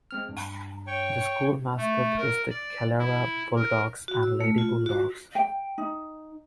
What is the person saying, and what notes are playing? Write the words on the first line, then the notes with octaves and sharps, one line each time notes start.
The school mascot is the Calera Bulldogs and Lady Bulldogs.
G#3 C4 F6
G2
C#5 G5 C#6
A3
A#4
D5
E4
A#4
F#4
E6
A3
F4
F#4
G5
D#4